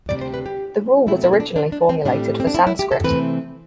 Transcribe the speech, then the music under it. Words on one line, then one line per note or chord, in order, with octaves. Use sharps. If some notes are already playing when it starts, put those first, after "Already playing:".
The rule was originally formulated for Sanskrit.
D2 C3 G3 C4 D5
C5
B4
G4
B2 F#3 A3 C4 E4
E4
C4
D4
D4
D4
C4
A2 G3 C4 D4
C4
D4
E4
E4
G4
A4
C3 E3 A3 C4 B4